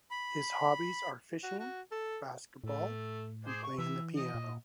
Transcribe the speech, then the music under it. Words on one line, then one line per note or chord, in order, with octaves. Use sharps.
His hobbies are fishing, basketball, and playing the piano.
B5
F#4
F#4
A4
A2 A3
G#4 C5 D6
C#6
E3 E5
D#5
A#2